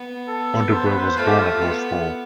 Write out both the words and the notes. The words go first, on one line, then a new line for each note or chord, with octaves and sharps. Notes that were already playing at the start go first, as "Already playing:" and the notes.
Audebert was born at Rochefort.
Already playing: B3
A4
C5
B4
C5
A3 F4
G4
F4
B3